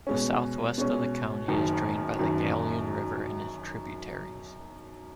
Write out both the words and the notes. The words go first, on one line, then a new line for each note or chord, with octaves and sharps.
The southwest of the county is drained by the Galien River and its tributaries.
B2 G#3 C#4
B2 G#3 C#4
F#1 F#2 D#3
F#1 F#2 D#3